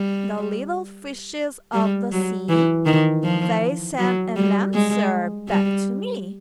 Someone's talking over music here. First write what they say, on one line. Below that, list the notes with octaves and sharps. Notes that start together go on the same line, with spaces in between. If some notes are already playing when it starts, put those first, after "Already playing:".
The little fishes of the sea, They sent an answer back to me.
Already playing: G3
G3
F#3
E3
D#3
F3
F#3
G3
G#3
G3